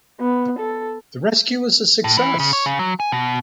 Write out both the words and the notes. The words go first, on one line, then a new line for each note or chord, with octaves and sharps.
The rescue was a success.
B3
A4
A2
E3
C#3
C#5
C#3
F#3
G#5
B2